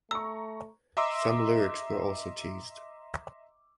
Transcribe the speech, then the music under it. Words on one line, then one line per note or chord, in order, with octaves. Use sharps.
Some lyrics were also teased.
A3 A#5 C#6 E6
D#5 E5 A#5 C6 D6 E6